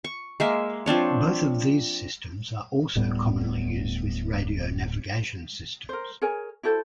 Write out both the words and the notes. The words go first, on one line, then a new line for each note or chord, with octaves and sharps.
Both of these systems are also commonly used with radio navigation systems.
C#6
G#3 A#3 E5
F3 C4 D4 C#5
D1 A2 G3 B3
A#4 C5
G#4 A#4 C#5 G#5
E4 F#4 A4 C5